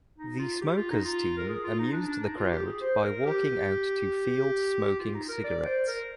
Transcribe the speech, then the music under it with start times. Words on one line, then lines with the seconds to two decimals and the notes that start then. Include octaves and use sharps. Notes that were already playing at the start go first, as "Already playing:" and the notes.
The Smokers team amused the crowd by walking out to field smoking cigarettes.
0.18 D#4
0.39 F4
0.61 G4
0.77 F4
0.91 D#4
1.05 F4
1.37 A#4
1.49 G#4
1.64 F4
1.79 D#4
1.93 D4
2.07 D4
2.23 D#4
2.37 F4
2.51 G4
2.66 G#4
2.81 C5
3.03 A#4
3.25 G4
4.99 F4
5.14 D#4
5.29 A#4
5.44 D5
5.66 C5
5.88 A#4